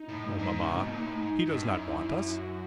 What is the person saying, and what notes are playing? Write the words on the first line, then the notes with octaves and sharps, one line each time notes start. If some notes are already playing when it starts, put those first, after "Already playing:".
"Oh, mamma, he does not want us."
Already playing: D#4
A2
G2
G#2
C#3
C3
B2
A#2
A2
G#2
G2
F#2 E4
F#4